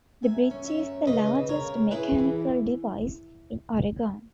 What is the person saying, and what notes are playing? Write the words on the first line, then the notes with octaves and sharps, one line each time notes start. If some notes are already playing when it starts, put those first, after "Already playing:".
The bridge is the largest mechanical device in Oregon.
F#2 E5 G#5
C#4
C#5 E5
F#2
C#3 B4 D#5
C#3
A#4 C#5
C#3
E4 G#4 B4
E3